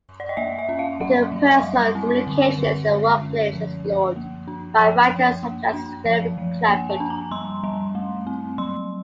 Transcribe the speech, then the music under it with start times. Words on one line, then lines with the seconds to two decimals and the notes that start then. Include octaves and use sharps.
Interpersonal communications in the workplace are explored by writers such as Phillip Clampitt.
0.20 D5
0.29 D#5
0.37 A#3 E5
0.59 E5
0.69 C#4
0.79 F5
1.00 F#3 F#5
1.32 F#3
1.64 G3
1.95 C4
2.27 D3
2.58 D3
2.90 G#3
3.22 C#4
3.53 F3
3.85 F3
4.16 A#3
4.48 D4
4.79 F3 G5
5.11 F3
5.43 A#3
5.73 D4
6.05 F3 F5
6.37 F3
6.69 A#3 G#5
6.90 A5
7.00 D4
7.10 A#5
7.31 G3 C6
7.63 G3
7.95 A3
8.27 C4
8.58 F#3 C6